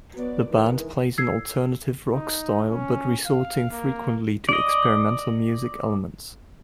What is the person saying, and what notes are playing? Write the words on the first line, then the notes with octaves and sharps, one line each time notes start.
The band plays in alternative rock style, but resorting frequently to experimental music elements.
F#3 B3 D5
D#3 E3 G#3
E6 G#6 C7
D#4
C#4
F5
A#3
D5 D#5